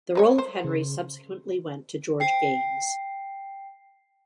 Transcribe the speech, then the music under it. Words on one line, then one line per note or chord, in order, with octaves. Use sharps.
The role of Henry subsequently went to George Gaynes.
F#3 B4 C#5
C5
C#3
G5 C7